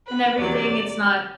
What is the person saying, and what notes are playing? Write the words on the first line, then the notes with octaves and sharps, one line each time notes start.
and everything, it's not,
B4
E2 C3 F#3 D5